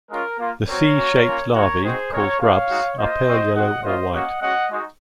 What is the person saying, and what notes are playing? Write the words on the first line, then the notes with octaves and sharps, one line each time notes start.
The C-shaped larvae, called grubs, are pale yellow or white.
G#3 C#4 F4 A#4
A#3 F4
C4 F#4 A#4 C#5
A#3 C#4 F#4
A#3 C#4 F4
A#3 D#4 F#4 A#4 C#5
G#3 C4 D#4 F#4 G#4 C5
G#3 C4 F#4 A#4 C#5
C4 D#4 F#4 C#5 F5
G#3 D#4 F#4
A#3 F4 C5 D#5
C4 F#4
G#3 C4 F#4 D#5 F#5
A#3 C#4 F4 C5 D#5
A#3 C#4 F#4 D#5 F#5
G#3 C#4 F#4 D#5 F#5
G#3 D#4 F#4